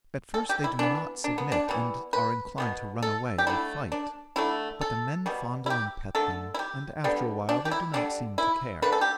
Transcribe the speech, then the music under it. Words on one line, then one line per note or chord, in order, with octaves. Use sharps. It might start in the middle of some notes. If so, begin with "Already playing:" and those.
At first they do not submit, and are inclined to run away or fight, but the men fondle and pet them, and after awhile they do not seem to care.
A4
G4
E4
E3 B3 D4
D4
B3
D4
E3 G3 B3
B4
B2 G3 B3
A4
G4
D3 A3 E4
D4
D3 A3 E4
A4
B2 G3 B3
E4
G4
D3 A3 A4
E4
G4
D3 G3 B3
D4
G4
E4
D3 G3 B3 D4
E4
D3 A3 B4
A4
G4